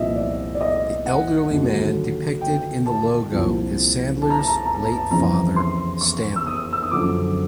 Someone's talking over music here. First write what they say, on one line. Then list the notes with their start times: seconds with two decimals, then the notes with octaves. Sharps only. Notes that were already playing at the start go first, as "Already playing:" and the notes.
The elderly man depicted in the logo is Sandler's late father, Stanley.
Already playing: C2 A#2 F3 D#5 E5
0.16 D5
0.55 D5
0.61 D#5
1.06 F#5
1.51 D#2 D3 F#3
2.41 G5
2.86 A5
3.31 C2 A#2 F3
4.22 A5
4.30 A#5
4.39 A5
4.47 A#5
4.57 A5
4.66 A#5
4.75 A5
4.83 A#5
4.92 A5
5.11 F2 C#3 E3 A#5
5.56 C6
6.01 C#6
6.36 E6
6.47 D#6
6.73 E6
6.82 D#6
6.91 F#2 D3 F3 D6